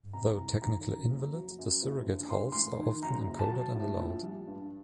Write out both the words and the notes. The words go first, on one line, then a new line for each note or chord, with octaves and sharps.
Though technically invalid, the surrogate halves are often encoded and allowed.
C3 A#5
C2 A#5
D#3 A#5
F#2
F#1
F#3
F#2
F#1
D3
G2 C6
A1 C6
D#3
F#2 A#5
F#1
A5
F#3
A2
A#1
G3
G2